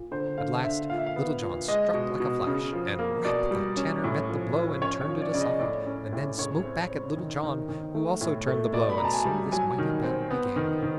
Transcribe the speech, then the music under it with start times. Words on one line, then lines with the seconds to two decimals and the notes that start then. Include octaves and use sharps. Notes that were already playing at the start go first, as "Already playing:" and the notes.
At last Little John struck like a flash, and--"rap!"--the Tanner met the blow and turned it aside, and then smote back at Little John, who also turned the blow; and so this mighty battle began.
Already playing: A#2
0.11 D3 C5
0.38 D3 F5
0.64 D3 E5
0.90 A#2 F5
0.98 E5
1.06 F5
1.16 B3
1.42 A#2
1.68 G#3 D#5
1.94 B2
2.20 B2
2.47 C#3
2.73 F3
2.99 A#3
3.25 B2 D5
3.51 G3
3.77 C#4
4.04 A2
4.29 F3
4.56 F3
4.82 C#4 C#5
5.01 C#5
5.08 F3
5.21 D5
5.33 C#3 D5
5.41 D#5
5.60 A2 D5
5.86 C#4
6.13 A2
6.38 C#3 C#5
6.64 C4
6.91 C4
7.17 D#3
7.43 D#3
7.69 D#3
7.95 A3
8.21 A2
8.47 A3
8.73 B2 D5
8.89 B5
8.98 B2 A#5
9.05 A5
9.13 G#5
9.25 G3
9.52 F#3 G#5
9.78 D#3
10.04 C4
10.30 B3
10.56 D#3
10.82 D#3